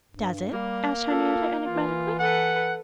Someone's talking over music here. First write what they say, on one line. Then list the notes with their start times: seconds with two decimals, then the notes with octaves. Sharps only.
"Does it?" asked Henriette, enigmatically.
0.11 G2
0.52 G3 A#3
1.10 F4 A4
1.66 E3 F4
2.19 A4 B4 F#5